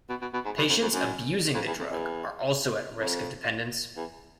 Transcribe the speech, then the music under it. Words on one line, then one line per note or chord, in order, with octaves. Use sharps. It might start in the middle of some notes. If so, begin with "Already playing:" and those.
Patients abusing the drug are also at risk of dependence.
B2
B2
B2
G#2
G2
F2
F2
F#2
F2
E2
F2
E2
F2
E2